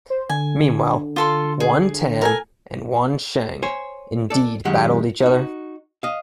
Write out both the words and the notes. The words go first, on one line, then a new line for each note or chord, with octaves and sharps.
Meanwhile, Yuan Tan and Yuan Shang indeed battled each other.
C5
D3 G#5
F4 A4 C6
G#4
A4 A#4 G#5
C5 C#5 G#5
A4 D5
F#2 D#3 G#3 G4 F#5
D#4 F#4
D#5 F5